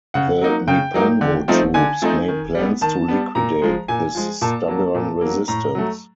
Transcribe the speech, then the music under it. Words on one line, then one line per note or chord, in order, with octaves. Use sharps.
The Niponggo troops made plans to liquidate this stubborn resistance.
C#3 F#5
F#3 A#3 D#4
C#3 G5
F#3 A#3 D#4
D3
F3 A3 C4 D#4
D3 G#5
F3 A3 C4 D#4
D#3
G3 B3
D#3 A5
G3 B3
A#2 A#5
F3 G#3
A#2 G#5
F3 G#3
A#2 A5
F#3 A#3
A#2
F#3 A#3
A2 A#5
F#3 A3